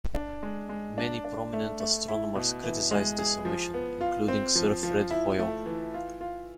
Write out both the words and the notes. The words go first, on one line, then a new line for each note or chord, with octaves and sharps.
Many prominent astronomers criticised this omission, including Sir Fred Hoyle.
D4
G#3
G#3
D4
D4
A3
A3
E4
B2
E3
G#3
G#4
F3
B3
F4
C4
F3
F3
E4
A3
E3
F4
F4